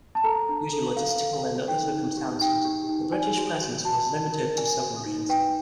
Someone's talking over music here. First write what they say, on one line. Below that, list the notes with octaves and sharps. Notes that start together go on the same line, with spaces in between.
Due to logistical and other circumstances the British presence was limited to submarines.
A5
A4 A#5
D4
A4
A4 F5
A4
A4
D#4 G5
D#4
G4
D#4 G5
G4
D#4
D5 G#5
F#4
F#4
F#4 A5
F#4
A#4
D5 G#5
F#4
D#4
B4 G5